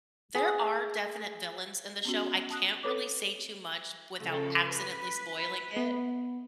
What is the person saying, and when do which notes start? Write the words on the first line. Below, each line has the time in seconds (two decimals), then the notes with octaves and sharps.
there are definite villains in the show. I can't really say too much without accidentally spoiling it,
0.35 G#4
2.05 B3 C#4 F#4
2.50 A5 D#6 F#6
2.83 C4 A4 B4 C#5 D6
4.20 C#3 F3 A4
4.69 B4
5.77 B3